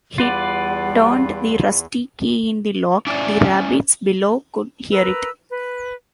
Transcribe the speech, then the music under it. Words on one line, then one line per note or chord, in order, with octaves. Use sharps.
He turned the rusty key in the lock; the rabbits below could hear it.
E2 G3 F4 B4 D5 F#5
C#4 D4 E4 D5
A#4 B4 E6
B4